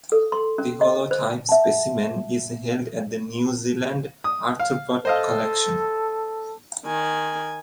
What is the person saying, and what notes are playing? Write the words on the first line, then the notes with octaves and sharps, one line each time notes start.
The holotype specimen is held at the New Zealand Arthropod Collection.
A4
C6
C#4
D#5
C5
E5 F#5 A5
D#6
F5
A4 C5 D#5 F5
D#3 G#5